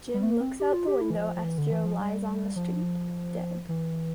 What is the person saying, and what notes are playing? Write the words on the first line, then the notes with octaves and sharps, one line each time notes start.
Jim looks out of the window as Joe lies on the street, dead.
G3
A3
A#3
C4
G4
F4
G4
E4
E3
F3
F3
E3
D3
E3
F3
G3
F3
E3